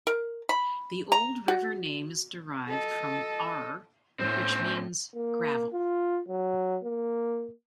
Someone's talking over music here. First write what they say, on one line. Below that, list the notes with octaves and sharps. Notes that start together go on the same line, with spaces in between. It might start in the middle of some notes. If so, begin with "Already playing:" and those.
The old river name is derived from "aurr" which means "gravel".
A#4
B5
A#5
F#4
A4 D#5
A2 C4 C#4 G6
A#3
F4
F#3
A#3